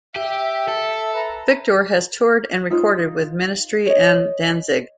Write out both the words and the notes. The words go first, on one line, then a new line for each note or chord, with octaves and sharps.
Victor has toured and recorded with Ministry, and Danzig.
G4 E5
A4
B4 A5 A#5
D#4 F4 C5
C#5 D#5